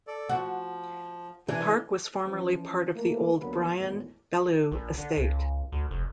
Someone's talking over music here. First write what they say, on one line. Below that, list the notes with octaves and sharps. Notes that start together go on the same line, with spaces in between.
The park was formerly part of the old Bryan-Bellew Estate.
A4 D5
F3 F#4
C3 E3 D4 G#5
E3 F3 C#4
A3 A#3 E4
C#2 D3 F#3 A#3 B3 B4
G#1 E2 A2 G#3
A#1
D3
C#2
D2
F1